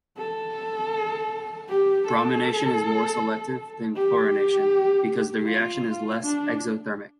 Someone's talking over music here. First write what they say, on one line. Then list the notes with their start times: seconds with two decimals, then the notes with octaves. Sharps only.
Bromination is more selective than chlorination because the reaction is less exothermic.
0.18 A4
1.68 G4
2.06 A4
3.95 G4
5.47 F4
6.22 D4